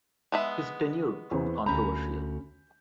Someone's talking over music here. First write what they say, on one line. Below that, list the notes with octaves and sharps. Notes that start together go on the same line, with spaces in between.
His tenure proved controversial.
G#3 B3 E5
E2 E3 C4
D2 C#4 A#5 B5 G6